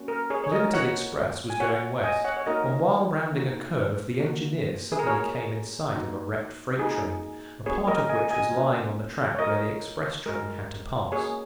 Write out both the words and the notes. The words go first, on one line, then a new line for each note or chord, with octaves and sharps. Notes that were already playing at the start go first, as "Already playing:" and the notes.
The limited express was going west, and while rounding a curve the engineer suddenly came in sight of a wrecked freight train, a part of which was lying on the track where the express train had to pass.
Already playing: A#3 C#4 F#4
A#4
G#4 C#5
C#5
A#4 D#5
A#3 F#4 C#5 F#5
G#5
A#3 F#4 C#5 F#5
D#5 G#5
C#5 F#5
C#5
A#3 D#4 F#4 A#4 D#5
A#3 D#4 F#4
A#3 F#4
G#4
A#4
A#3 F#4 G#4 C#5
A#3 D#4 F#4
A#3 D#4 F#4 G#4
A#3 C#4 F#4 G#4 C#5
A#4 D#5
D#5 G#5
D#5 G#5
A#3 C#4 F#4
C#5
G#3 F#4 A#4 D#5
G#3 F#4 A#4
A#3 F#4 G#4 C#5